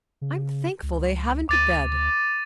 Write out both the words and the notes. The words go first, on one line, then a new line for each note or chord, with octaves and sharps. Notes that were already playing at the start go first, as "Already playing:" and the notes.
I'm thankful they haven't a bed.
C#3
C#2
D2 D6 A6 D#7